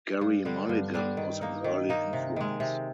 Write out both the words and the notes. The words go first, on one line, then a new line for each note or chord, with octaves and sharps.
Gerry Mulligan was an early influence.
G2
D3 G3 D4
G2
D3 G3 D4
D#3
A#3 D#4
D#3
A#3 D#4
C3
D#3 G#3
C3